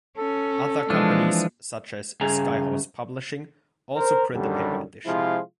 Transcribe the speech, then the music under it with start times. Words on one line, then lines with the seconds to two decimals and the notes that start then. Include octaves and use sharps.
Other companies-such as Skyhorse Publishing-also print a paper edition.
0.18 C#4 A4
0.90 E3 F3 G#3 D4
2.21 G2 C#3 G#4 G#5 A#5
3.95 A#4 C5
4.33 F#2 D3 D#3 G3
5.06 C3 F3 G#3 E4 F4